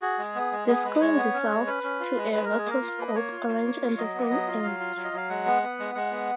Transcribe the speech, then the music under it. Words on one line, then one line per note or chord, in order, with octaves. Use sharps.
The screen dissolves to a rotoscope orange and the film ends.
F#4 G#4
G#3
B3
G#3
B3 G#4
G#3 B4
G#3 C#5
B3
C#4
G#3
C#4 B4
C#4
F4
G#3
G#3 B4
G#3 A#4
G#4
A#3 A#4
F4
A#3 B4
D#5
A#3 C#5
F4
F4
A#3
F4
F#3 D#5
B3
F#3
F4
F#3 F5
F4
F#3
D#5
F#3 F5
G#3 F#5
B3
B3
G#3
G#3 F#5
B3